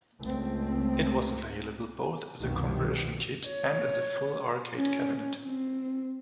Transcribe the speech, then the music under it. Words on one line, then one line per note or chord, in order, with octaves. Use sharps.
It was available both as a conversion kit and as a full arcade cabinet.
C#2 A3 C4
C2 F#2 B2 D#3 F3 G3
C#5
C#4
C4